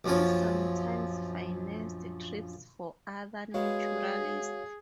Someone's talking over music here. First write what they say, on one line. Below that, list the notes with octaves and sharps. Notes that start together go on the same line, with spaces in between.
He sometimes financed trips for other naturalists.
A#1 F#2 F3 F4 C#5
G#3 B3 F#4 G#4 C#5 F5